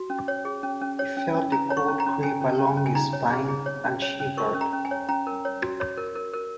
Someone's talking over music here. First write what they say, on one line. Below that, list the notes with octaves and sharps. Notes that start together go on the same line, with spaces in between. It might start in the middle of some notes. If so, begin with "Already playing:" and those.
He felt the cold creep along his spine, and shivered.
Already playing: F#4
C#4
C#5
G#4
C#4
C#4
C#5
C#4
C#4
C#4 A#5
C#5
C#6
C#4
A#5
C#4
C#4 G#5
C#4
C#4
C#4
G#5
D#4 A#5
C#5
G#4
G#4
C#5
C#4
C#5
C#4
A#4 C#6
C#4
A#5
C#4
G#5
C#5
C#4 A#5
A#4
C#5
F#4
C#5
A#4
A#4
A#4